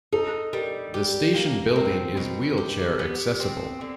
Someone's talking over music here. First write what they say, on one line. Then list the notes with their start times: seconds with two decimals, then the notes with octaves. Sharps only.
The station building is wheelchair accessible.
0.13 D#4 A4
0.53 G3 A#4
0.94 G4
1.35 A#3
1.76 C4 A#4
2.17 B2
2.58 G4
2.99 B3
3.40 C4
3.81 D3